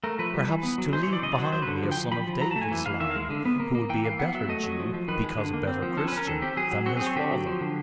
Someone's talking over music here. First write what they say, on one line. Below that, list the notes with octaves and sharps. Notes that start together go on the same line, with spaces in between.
Perhaps to leave behind me a son of David's line, who will be a better Jew, because a better Christian, than his father....
A3 A#4
F3 B4
G3
E3
B3
F#3
G#3 C5
C#5
E3
D5
C#3 D#5
D5
F#3 C5
F#3 C5
B4
D3
F3
G5
F3
F3 B5
F3
F#3 A#5
A5
A3
G#5
E3
E3 F5
D#3 E5
F5
G#3
D3
B3
A#3
A#3
E3 G5
E3 F5
B3 F#5
F#3 E5
A3 D#5
F#3
F3
F3
D#3 B4
G#3
D3
A#3
C4
F3
C#4 A4
B4
C#4
A#4
D#3 A4
C4 G4
F#3 G#4
F#3
C4 F#4
G#4
C4
C#5
D3 G4
F#3
F3
D3